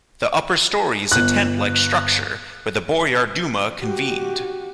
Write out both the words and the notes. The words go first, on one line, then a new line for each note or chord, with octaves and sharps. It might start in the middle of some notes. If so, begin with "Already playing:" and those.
The upper story is a tent-like structure where the Boyar Duma convened.
G1 F#6
F#4 G4